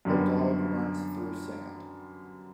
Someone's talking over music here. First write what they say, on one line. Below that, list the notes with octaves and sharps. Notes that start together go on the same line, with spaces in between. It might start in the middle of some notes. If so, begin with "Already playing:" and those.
A dog runs through sand.
F#2 D3 G3 B3